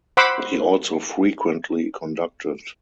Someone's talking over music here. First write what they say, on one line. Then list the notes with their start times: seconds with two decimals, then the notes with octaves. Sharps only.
He also frequently conducted.
0.17 C5 F#5 B5 C6 D6 E6